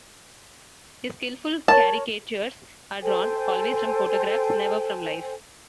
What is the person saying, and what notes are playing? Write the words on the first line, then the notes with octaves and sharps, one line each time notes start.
His skilful caricatures are drawn always from photographs, never from life.
A#4 C#5 A5
A4 C5 G5 G#5